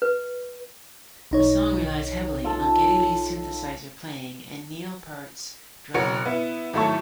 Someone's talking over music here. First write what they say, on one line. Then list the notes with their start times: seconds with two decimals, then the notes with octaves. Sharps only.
The song relies heavily on Geddy Lee's synthesizer playing and Neil Peart's drumming.
0.02 B4
1.31 B1 D#4 C#5
2.44 F4 A4 A5
5.94 F#1 B2 F#4 A#4 C#5 C#7
6.25 B3 E4
6.73 G#1 F#3 A3 E4 A4 C#6